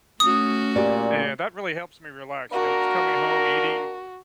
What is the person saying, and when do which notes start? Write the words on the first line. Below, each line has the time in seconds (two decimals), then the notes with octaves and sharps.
And that really helps me relax, you know, just coming home, eating
0.20 A3 C#4 F#4 D#6
0.76 A#2 G4 D5
2.52 A#3 D4 F#4 A#4